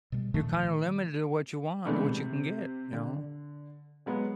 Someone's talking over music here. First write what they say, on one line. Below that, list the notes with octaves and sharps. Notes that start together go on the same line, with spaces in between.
you're kind of limited to what you want or what you can get. You know
B2 G3
A#2 D#3 F3 A3
C3 E3 G#3 A3 B3 D4
C3
D3
F#3 G#3 B3